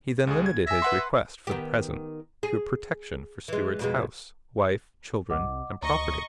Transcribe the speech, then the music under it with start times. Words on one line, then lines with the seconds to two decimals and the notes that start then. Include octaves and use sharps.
He then limited his request, for the present, to a protection for Stewart's house, wife, children, and property.
0.27 C#2 G#4
0.46 G#6
0.67 E5 G#5 A#6
0.82 B4 F#5 C6
1.47 D#3 B3 G4
2.43 G#4
3.48 E3 G#3
3.79 F2 B2 G#3
5.30 C2 D#5 F#5 D6
5.83 D2 D#5 A#5 C#6